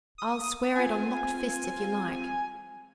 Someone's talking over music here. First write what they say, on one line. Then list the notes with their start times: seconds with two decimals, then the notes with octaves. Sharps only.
'I'll swear it on locked fists, if you like.
0.18 D#6
0.75 C4 F4 G#5